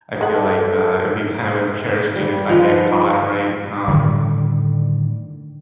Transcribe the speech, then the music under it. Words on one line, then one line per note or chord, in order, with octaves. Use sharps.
I feel like, uh, it'd be kind of embarrassing if I get caught, right? Um,
G#3 A4 F#5
G3
F3 G#3 B4
G#2
A2 D3 D#3 G3